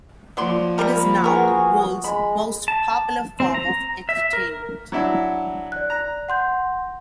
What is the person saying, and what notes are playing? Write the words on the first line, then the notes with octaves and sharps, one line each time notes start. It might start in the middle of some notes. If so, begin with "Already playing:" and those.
It is now the world's most popular form of entertainment.
F3 F#3 A#3 D5 C6
C3 G3 A#4 B5
B3 F#4 G#4 A#4
G#3 B5
A5
C4
A#5
E5
A#4
F#3 D4 E4 F#5 A#5
D5 F#6
A#5
F#5 C6 G6